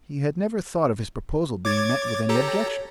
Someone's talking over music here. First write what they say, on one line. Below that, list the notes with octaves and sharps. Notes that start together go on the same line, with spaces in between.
He had never thought of his proposal being met with any objection.
C#5 D6 G#6 A6
G4 A4 A#5